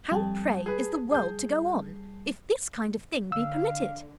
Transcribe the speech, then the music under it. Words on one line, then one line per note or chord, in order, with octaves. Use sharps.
How, pray, is the world to go on, if this kind of thing be permitted!
F2 G3 A5
G#4 B4
G#4 G6
D3 F5 E6